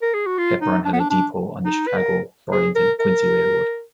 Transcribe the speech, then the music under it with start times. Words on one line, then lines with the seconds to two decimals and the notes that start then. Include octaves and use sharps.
Hepburn had a depot on the Chicago, Burlington and Quincy Railroad.
0.02 A#4
0.14 G#4
0.26 F#4
0.38 F4
0.62 D#4
0.85 D4
0.93 B3
1.00 D4
1.10 D4
1.65 D#4
1.87 B4
1.97 A#4
2.52 G#4
2.75 A#4
2.99 A#4